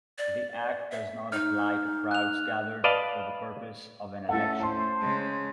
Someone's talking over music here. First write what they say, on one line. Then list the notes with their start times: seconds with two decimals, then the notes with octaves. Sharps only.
The act does not apply to crowds gathered for the purpose of an election.
0.18 D5
0.91 E5
1.32 D#4 F6
2.11 F#6 F7
2.84 B4 D5 D#5 F5 A5
4.29 A3 C#4 E4 A4 F#5
4.60 C5 A5 C6
5.01 C#3 G#3